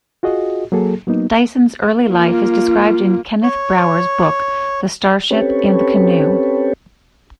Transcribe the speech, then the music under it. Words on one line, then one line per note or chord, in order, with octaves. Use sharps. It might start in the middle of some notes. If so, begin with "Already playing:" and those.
Dyson's early life is described in Kenneth Brower's book The Starship and the Canoe.
F4 F#4 G#4 D#5
F#3 A#3 G#4 A4
F#3 A#3 B3 D#4
A#3 F4
C#5
C4 C#4 G4 A4 B4 C#5